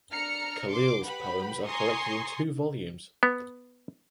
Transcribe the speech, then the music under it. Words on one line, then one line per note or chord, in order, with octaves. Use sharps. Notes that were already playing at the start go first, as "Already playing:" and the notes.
Khalil’s poems are collected in two volumes.
D4 A#5 F6 C#7
C6 D6
G4 B4 F#5 B5
G#5 A#5 C6 C#6 D#6
B3